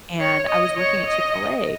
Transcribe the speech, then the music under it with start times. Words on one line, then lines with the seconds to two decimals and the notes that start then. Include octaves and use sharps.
and I was working at Chick-fil-A,
0.20 C#5
0.49 D#5
0.78 C#5
1.07 D#5